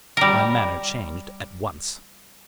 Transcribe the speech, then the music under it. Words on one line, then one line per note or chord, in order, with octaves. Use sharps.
My manner changed at once.
G3 A#4